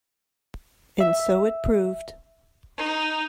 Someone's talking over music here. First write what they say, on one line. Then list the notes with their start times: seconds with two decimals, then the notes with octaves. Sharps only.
And so it proved.
1.00 E5
2.78 D#4